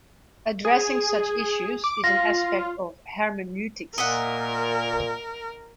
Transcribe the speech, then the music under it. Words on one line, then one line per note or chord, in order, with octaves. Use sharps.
Addressing such issues is an aspect of hermeneutics.
G#4
D6
F4 F5 A#6
A#2 A#4 D#5 E5 F#5